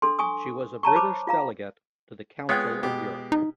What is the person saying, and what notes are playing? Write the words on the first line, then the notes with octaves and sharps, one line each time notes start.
She was a British delegate to the Council of Europe.
D4 A4 C6
G#5 C#6 D#6
C#5 A5 A#5 C#6
B4 C5 B5 D6
F4 F5 A#5
G#3 B3 F4 C#5 F5 G5
B2 G4
D#4